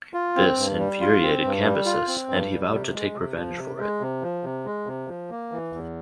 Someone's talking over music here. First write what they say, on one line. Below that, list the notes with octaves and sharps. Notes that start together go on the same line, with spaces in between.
This infuriated Cambyses and he vowed to take revenge for it.
F4
C4
G2
G3
F4
C4
G2
G3
F4
C4
G2
G3
C3
G#3
C3
F3
C3
G#3
C3
F3
C3
G#3
C3
F3
A#3
E3
E2